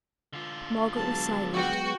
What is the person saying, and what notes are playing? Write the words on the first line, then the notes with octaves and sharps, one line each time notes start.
Margaret was silent.
D3 F4
F#3 G#3 B3 A5
F#4 G5